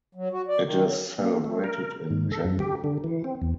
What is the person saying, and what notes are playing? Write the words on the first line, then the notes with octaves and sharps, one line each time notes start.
It is celebrated in January.
F#3
F#4
D5
D#3
F#3
A#3
A3
A#4
G#2
A4
F#2
G4
D3
E3
C4
E2